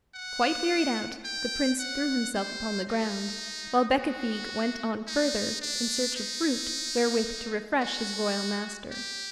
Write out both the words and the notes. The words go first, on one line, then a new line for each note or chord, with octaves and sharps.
Quite wearied out, the Prince threw himself upon the ground, while Becafigue went on further in search of fruit wherewith to refresh his royal master.
F#5
G5
F#5
C5
D#4
F#4
D#4
D4
D#4
F#4
G4